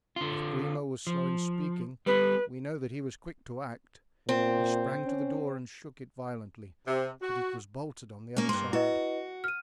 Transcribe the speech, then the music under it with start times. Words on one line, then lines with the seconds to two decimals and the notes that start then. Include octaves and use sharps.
If Grimaud was slow in speaking, we know that he was quick to act; he sprang to the door and shook it violently, but it was bolted on the other side.
0.16 D3 F4
1.07 F3
2.06 G3 B3 B4
4.29 A#2 C4
5.06 C#4
6.88 C3
7.22 F#4
8.37 A#3 C#4
8.49 G2 A#3 C6
8.73 E4 F#4 B4 D#5
9.44 F6 D#7